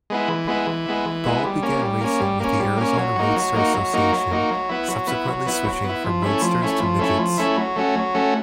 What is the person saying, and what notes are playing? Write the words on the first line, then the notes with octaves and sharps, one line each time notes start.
Ball began racing with the Arizona Roadster Association, subsequently switching from roadsters to midgets.
G#3 B3 E4
E3
G#3 B3 E4
E3
G#3 B3 E4
E3
G#3 B3 E4
G3
A#3 C#4
G3
A#3 C#4
G3
A#3 C#4
G3
A#3 C#4
F#3
A#3 D#4 F#4
F#3
A#3 D#4 F#4
F#3
A#3 D#4 F#4
F#3
A#3 D#4 F#4
F#3
B3 E4
F#3
B3 E4
F#3
B3 E4
F#3
B3 E4
F3
A3 C#4 E4
F3
A3 C#4 E4
F3
A3 C#4 E4
F3
A3 C#4 E4
F#3
A3 C#4 F#4
F#3
A3 C#4 F#4